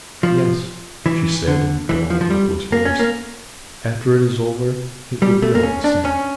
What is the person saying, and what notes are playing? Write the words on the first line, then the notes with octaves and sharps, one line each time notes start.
"Yes," she said in a dull, hopeless voice, "after it is over it will be all the same."
F3
E3
D3
E3
F3
F3
G3
A#3
C#4
A#3
G3
A3
A#3
C#4
D4
C#4